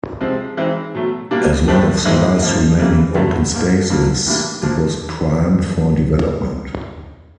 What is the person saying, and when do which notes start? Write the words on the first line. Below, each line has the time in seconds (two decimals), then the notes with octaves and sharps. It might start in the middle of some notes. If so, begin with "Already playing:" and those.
As one of the last remaining open spaces it was primed for development.
0.21 C3 F3 G#3 C4
0.57 E3 G#3 C4 D#4
0.95 B2 F#3 A3
1.31 B2 G3 A#3 D4
1.68 A2 F3 A3 D4 G4
2.05 G#2 E3 G#3 C4 D#4
2.42 C#3 F3 A#3
2.78 C#3 E3 G3 A#3
3.15 G2 D3 F#3 A3
3.53 G#2 F3 A#3
3.90 F2 D3 F#3 A#3
4.27 A2 E3 G3 A#3 D4
4.63 A#2 F3 A#3 D4